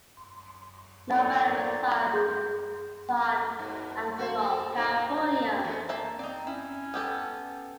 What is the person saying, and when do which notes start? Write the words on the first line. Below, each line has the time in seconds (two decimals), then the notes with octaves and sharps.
Novello resides in San Anselmo, California.
1.12 A2 F3 D#4 C#5 D5
2.13 G#4 C6 G6
3.59 G#2 B2
4.18 F#4 C5
4.37 C4 A4
4.72 A#2 C4 D#4
5.64 E3 G#3 A3
5.89 A#3 E5 A5
6.19 C4 D#4 D5
6.47 C#4 E4
6.94 B3 G4 A4